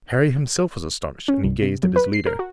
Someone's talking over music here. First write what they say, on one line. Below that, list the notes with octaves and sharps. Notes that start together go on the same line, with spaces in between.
Harry himself was astonished, and he gazed at his leader.
C#4
C2
C3
F#3
B4
C7
A#4
F#4